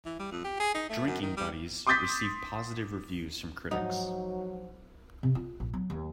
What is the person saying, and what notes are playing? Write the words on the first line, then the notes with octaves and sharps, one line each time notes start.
"Drinking Buddies" received positive reviews from critics.
E3
G3
F2
G4
G#4
D#4
A3
F#2
D#3
G3
C6 D6 D#6 G6 A6 B6
G#2 F3 F#3 D#4 F#5
C3
F4
A#1
F#3
D#2